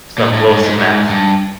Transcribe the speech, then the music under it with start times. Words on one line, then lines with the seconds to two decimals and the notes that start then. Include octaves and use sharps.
some most of map f
0.18 A#2
0.33 A2
0.49 G#2
0.64 G#2
0.79 G#2
1.09 G2